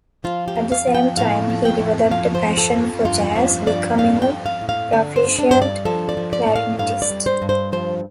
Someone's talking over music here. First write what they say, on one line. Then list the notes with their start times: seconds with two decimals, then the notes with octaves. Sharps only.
At the same time, he developed a passion for jazz, becoming a proficient clarinetist.
0.24 F3 F4
0.48 G4
0.55 F2
0.72 F5
0.87 F3
0.95 G5
1.17 A2 F5
1.50 F3
1.65 G5
1.80 A2
2.11 F3 F5
2.35 C5
2.42 F3
2.58 A4
2.73 F2
3.05 G2 F4
3.36 F3
3.67 G2 D5
3.98 A2 F5
4.22 G5
4.30 F3
4.46 F5
4.61 A2
4.69 F5
4.92 D3 D5
5.16 C5
5.23 G2
5.39 D4
5.51 G2 C5
5.62 D5
5.85 F3 A4
6.09 D5
6.17 F3
6.33 D5
6.47 A2
6.56 F5
6.79 G2 F5
7.02 D5
7.10 G3
7.26 C5
7.42 G2
7.49 C5
7.72 F3 C5